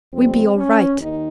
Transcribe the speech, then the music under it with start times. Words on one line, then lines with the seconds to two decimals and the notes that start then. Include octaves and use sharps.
We be all right.
0.13 F2 C#3 G3 C4
0.56 C#4
0.98 D#2 D#3 D#4